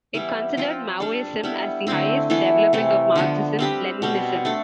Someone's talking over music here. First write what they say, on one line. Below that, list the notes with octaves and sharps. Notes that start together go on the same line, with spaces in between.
It considers Maoism as the highest development of Marxism-Leninism.
E3 G3 B3 E4
F3 C4 F4
G3 D4 A4
G3 B3 E4
D3 A3 C4 E4
E3 B3 E4 A4
C3 E3 A3
D3 F3 B3
G3 C4 G4 B4
B2 G3 C4
A3 D4 A4